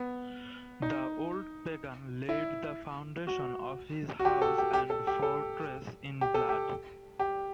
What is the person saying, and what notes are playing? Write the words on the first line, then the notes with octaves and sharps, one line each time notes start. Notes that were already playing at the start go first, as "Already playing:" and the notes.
The old pagan laid the foundation of his house and fortress in blood.
Already playing: B3
D#4
E4
F#4
F#4
G4
A4
G4
G4
A4
G4
A4
G4
A4
G4
G4